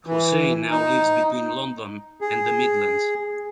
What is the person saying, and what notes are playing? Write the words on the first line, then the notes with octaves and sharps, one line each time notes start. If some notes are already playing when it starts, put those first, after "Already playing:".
Hossain now lives between London and the Midlands.
E3
D#4
G#4